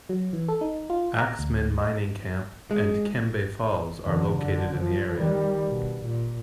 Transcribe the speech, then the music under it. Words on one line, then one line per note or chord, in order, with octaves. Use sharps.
Axmin Mining Camp and Kembe Falls are located in the area.
F#3
E3
A4
D#4
F4
A#5
D2
D#5
G#3
E2 D3
F#2 D3
F3
D#3 G3
B2
A#2